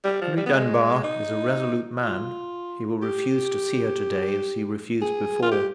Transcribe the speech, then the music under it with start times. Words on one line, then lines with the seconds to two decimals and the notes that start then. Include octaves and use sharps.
"Henry Dunbar is a resolute man; he will refuse to see her to-day, as he refused before."
0.04 G3
0.21 F3
0.37 G3
0.46 B3
0.53 G#3
1.03 D#4
2.03 F4
3.02 G4
5.01 G#4
5.42 F4
5.51 G4